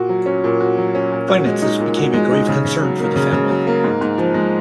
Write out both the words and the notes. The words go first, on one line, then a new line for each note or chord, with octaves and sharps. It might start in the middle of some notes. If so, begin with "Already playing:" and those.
Finances became a grave concern for the family.
Already playing: A#2 F#4
F#3
C#4
A#2
F#4
F#3
C#4
A#2
F#4
G#3
D#4
A#2
F#4
G#3
D#4
C#3
C#3
F#3
A#3
C#3
C#3
F#3
A#3
G#2
G#2
F3
G#3